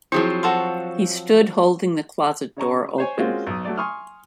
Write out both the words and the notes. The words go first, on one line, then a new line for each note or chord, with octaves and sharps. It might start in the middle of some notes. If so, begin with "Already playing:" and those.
He stood holding the closet door open.
F3 F#3 C4 E4 G#4
F#4 A4 F5 C6
C#3 C#5 A#5 C#6
C5 C#5 G#5
G#3 A#3 C4 C#4 F4 F#4
B1 D#6
F#3 A3 D5
G#5 C6 C#6 D#6 F6